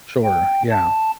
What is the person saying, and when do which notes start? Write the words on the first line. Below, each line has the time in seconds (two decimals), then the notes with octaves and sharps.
Sure. Yeah.
0.23 G5
0.71 A5